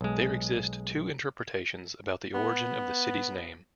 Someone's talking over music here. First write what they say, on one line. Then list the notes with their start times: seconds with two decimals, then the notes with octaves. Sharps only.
There exist two interpretations about the origin of the city's name.
0.01 B1 G#3
2.34 B3